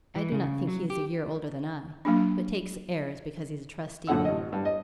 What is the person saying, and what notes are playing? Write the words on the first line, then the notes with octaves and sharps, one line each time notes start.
I do not think he is a year older than I, but takes airs because he's a trustee.
E3
C#3
F#3
G4
F#3 A#3 D4
F#2 A#2 D3 F#5 E6
A1 D#5
G2
D#5